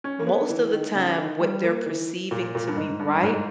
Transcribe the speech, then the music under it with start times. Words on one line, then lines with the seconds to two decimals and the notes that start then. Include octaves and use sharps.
most of the time what they're perceiving to be right
0.04 C#4
0.19 A#3
0.27 B3
0.50 E3
0.73 D#3
0.95 C#3
1.18 D#3
1.40 G3
1.64 A#3
1.86 E3
2.31 A#2
2.55 A#2
2.68 G2
2.77 G#2
3.00 G2
3.14 G2
3.23 G#2